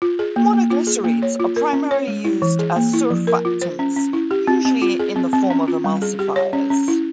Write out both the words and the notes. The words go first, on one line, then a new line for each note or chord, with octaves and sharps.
Monoglycerides are primarily used as surfactants, usually in the form of emulsifiers.
F4
G#4
A#3
A#3
F4
G#4
A#3
C#5
F4
A#4
C#4
C#5
G#3
E4
E3
G#4
A#3
E4
F3
A#4
F4
C5
C#4
C#4
E4
G4
C4
C4
F4
G#4
C4
C4
C#4
F4
G3
G#4
G4
C#5
C#4
C#4
E4